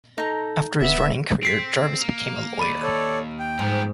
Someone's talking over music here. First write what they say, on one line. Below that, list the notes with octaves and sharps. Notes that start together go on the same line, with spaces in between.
After his running career, Jarvis became a lawyer.
D#4 A4 A#5
D1 B3 E5
C4 B6 C7 D7
A#3
D#2 D5 B5 D#7
A4 C#5 D5
G5
G#2 F3 B3